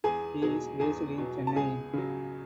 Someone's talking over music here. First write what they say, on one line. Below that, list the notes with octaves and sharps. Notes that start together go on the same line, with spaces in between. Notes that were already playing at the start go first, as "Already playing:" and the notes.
He is based in Chennai.
E2 G#4 G#5
B2 F#3 G#4 G#5
E2 G#4 G#5
B2 F#3
A5
C#2 G#4 G#5
C#3 F#3